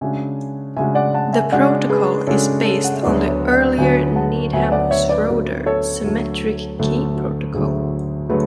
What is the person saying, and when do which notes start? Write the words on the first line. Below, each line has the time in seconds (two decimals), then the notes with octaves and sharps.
The protocol is based on the earlier Needham-Schroeder symmetric key protocol.
0.01 C#3 G#3 D4 F#4 E5 G#5
0.77 C#3 G#3 D4 F#4 E5 G#5
0.95 D5 F#5
1.14 F#5 A5
1.33 E5 G#5
1.52 C#3 G#3 D4 F#4 D5 F#5
1.90 G#4 B4
2.27 C#3 G#3 D4 F#4 A4 C#5
2.64 A4 C#5
2.84 F#5
2.94 E5
3.03 D2 D3 F#3 B3 F#4 B4 D5
3.28 C#5 E5
3.52 D5 F#5
3.78 D2 D3 F#3 B3 F#4 E5 G#5
4.16 F#5 A5
4.53 D2 D3 F#3 B3 F#4 E5 G#5
4.72 D5 F#5
4.91 C#5 E5
5.09 B4 D5
5.28 D2 D3 F#3 B3 F#4
5.66 A4 C#5
6.03 D2 D3 F#3 A3
6.79 D2 D3 F#3 A3 F#4 A4
7.16 F#4
7.54 D2 D3 F#3 A3 G#4
8.30 D3 F#3 A3 G#4 B4